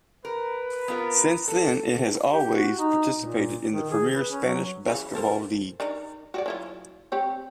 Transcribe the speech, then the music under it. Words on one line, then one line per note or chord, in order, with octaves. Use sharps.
Since then, it has always participated in the premier Spanish basketball league.
A#4 B4
B3 F4 A#4
A4
G4
F#4
D#4
A#2
D#3
G#4
B4
C#4
F#3
C#3 E3 F5
A4 A#4 C5
D4 D#4 A#4
F#4 G4 D5
F#3 E4 F4
C4 G4 C#5